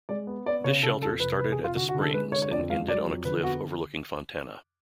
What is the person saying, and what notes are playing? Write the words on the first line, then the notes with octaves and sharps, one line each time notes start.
This shelter started at the Springs and ended on a cliff overlooking Fontana.
G#3 D5
B3
B3 D5
C#3 C#5
C#3 A4
F2 A4
F1 B4
F1 B4
G#4
F1
F4
D3 F#4
F#4
D3
A4
G#3 B4
D3 C#5
C#5
F2 D5
G#3 F5
F#3 D5
F2
D3 B4
B3 F#4